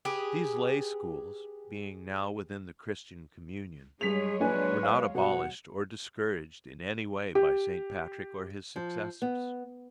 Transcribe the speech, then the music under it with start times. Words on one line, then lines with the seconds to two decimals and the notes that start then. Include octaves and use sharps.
These lay schools, being now within the Christian communion, were not abolished or discouraged in any way by St. Patrick or his successors.
0.05 G4 G#4 B4
4.01 G2 F#3 G#3 G#4 C#5 B6 F7
4.40 A#1 D4 B4 G#5
4.83 F5
5.15 B2 F#5
7.35 G4
8.76 F3
9.22 B3